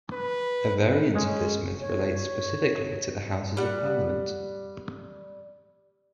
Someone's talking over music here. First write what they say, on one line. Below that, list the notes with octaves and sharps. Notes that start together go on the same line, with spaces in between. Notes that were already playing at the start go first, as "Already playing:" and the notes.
A variant of this myth relates specifically to the Houses of Parliament.
B4
G#3 C#4
C#5
G3 F#5